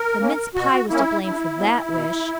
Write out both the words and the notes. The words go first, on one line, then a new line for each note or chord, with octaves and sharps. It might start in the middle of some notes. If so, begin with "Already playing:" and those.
The mince pie was to blame for THAT wish.
Already playing: A#4
A#3 C#4
B2 F#4
A#3 C#4 E4
G2 E4
F#3 B3
B2